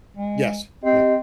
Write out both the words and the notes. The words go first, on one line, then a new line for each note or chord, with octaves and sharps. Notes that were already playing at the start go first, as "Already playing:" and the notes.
Yes. Yep.
G#3
C4 G4 D#5